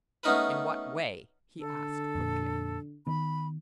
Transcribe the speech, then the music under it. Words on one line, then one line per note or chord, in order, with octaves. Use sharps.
"In what way?" he asked quickly.
A3 B3 C#4 D#4 A#4 B4
D3 A4
F2 A#2
D#3 B3 B5